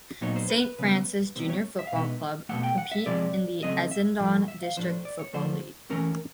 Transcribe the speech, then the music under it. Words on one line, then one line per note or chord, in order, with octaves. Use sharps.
St.Francis Junior Football Club compete in the Essendon District Football League.
A#2 F#3 B3 D#4 C#5
C5
B4
C#3 F#3 B3 B4
C3 D#3 G3 B3 C5
C#5
E5
F5
B2 G#3 B3 D#4 E5
B2 F#3 A3 F#5
G5
F#5
E5
C3 F3 G#3 D5
C#3 F#3 A3 C4 D#5
E5
A2 F3 A3 D4
E5
F5
A2 F3 A3 D4 C5
D5
C#5
D3 F3 A3 C5
E3 A3 C#4 A#4